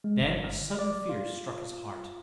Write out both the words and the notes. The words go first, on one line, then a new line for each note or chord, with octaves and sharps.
Then a sudden fear struck his heart.
G#3
G1
D5
F4